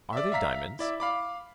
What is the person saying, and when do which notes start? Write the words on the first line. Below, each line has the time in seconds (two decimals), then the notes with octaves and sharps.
"Are they diamonds?"
0.13 D5 E5
0.32 E5 F5 A#5 B6
0.79 E4 D5 E5
1.00 F5 B5 D6